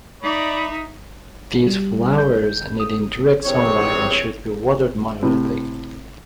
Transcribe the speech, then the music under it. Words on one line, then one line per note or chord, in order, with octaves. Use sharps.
These flowers need indirect sunlight and should be watered moderately.
D#4 D5 E5 B5
G3
G6
D#6
A#1 E2 C3 C4 G#4 C#5
A2 C3